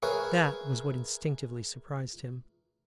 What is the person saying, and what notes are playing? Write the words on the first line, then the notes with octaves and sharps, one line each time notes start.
That was what instinctively surprised him.
G#4 A#4 B4 C#5 E5 G#5